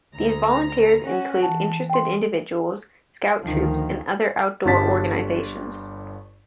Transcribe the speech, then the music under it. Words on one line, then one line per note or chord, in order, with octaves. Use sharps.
These volunteers include interested individuals, scout troops, and other outdoor organizations.
D2 A#5
C#4 F#4
E3 A5
G5 C6
D2 D#3 F3
G1 G2 G3 A5 A6 B6